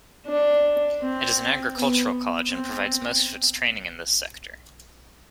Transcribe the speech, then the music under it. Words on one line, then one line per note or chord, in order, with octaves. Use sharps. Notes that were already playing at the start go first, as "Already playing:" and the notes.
It is an agricultural college and provides most of its training in this sector.
D4
C4
B3
C4